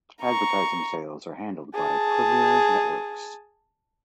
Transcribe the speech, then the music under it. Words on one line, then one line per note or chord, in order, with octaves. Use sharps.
Advertising sales are handled by Premiere Networks.
A#5 C#6
G#4 A5